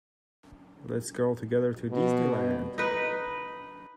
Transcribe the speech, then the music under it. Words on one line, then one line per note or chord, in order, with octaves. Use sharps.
Let's go altogether to Disney Land.
B2
D#4 B4